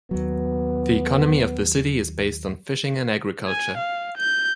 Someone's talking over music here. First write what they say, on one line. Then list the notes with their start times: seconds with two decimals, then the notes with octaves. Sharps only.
The economy of the city is based on fishing and agriculture.
0.11 D#2 F#3 B3
3.47 G#5
3.78 F5
4.18 G6